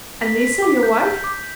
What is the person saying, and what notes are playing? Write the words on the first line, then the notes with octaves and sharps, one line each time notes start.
"And Lise, your wife?"
B6
B6
D6
G6
G6
D6